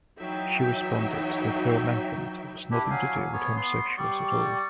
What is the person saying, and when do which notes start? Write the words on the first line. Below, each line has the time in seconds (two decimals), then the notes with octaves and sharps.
She responded that her amendment was nothing to do with homosexuals at all.
0.18 E3 F#3 D#4 E5 G5
2.71 D4 E4 G4
2.91 F#3 F5 G#5
3.33 B3 C#5
3.57 B3 C6
3.98 G3 D5 C#6